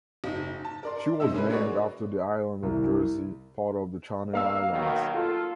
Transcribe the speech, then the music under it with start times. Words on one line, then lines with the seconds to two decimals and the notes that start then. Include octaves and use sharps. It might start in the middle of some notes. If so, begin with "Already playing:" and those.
She was named after the island of Jersey, part of the Channel Islands.
0.24 F#1 D#4
0.65 A5
0.83 A#4 D5 C6
1.20 C3 G#3 D#4 E5 E6
1.34 A#3 C#4 E4 G#4 A#4 B4
1.50 G#3 A#3 F#4 G#4 C#5 D5
2.63 C2
4.33 A#3 F5 E6
4.71 B2 D#3 F#3
5.14 F4 A4